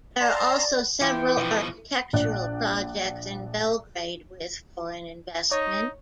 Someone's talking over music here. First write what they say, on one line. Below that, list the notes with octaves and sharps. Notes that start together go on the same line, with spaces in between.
There are also several architectural projects in Belgrade with foreign investment.
D5 A5 A#5 C6
E3 E4 F4 G#4 C5 G5 D6 C#7
B2 F3
A#1 D5 F#6
D#4 C#5